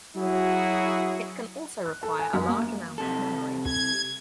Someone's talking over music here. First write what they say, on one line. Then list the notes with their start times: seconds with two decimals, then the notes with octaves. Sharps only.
It can also require a large amount of memory.
0.16 F#3 E4 F#4 G#4
1.86 F#6
2.03 A4
2.19 G#5
2.33 F#2
2.48 A#3
2.98 C2 C3 A4
3.66 G#6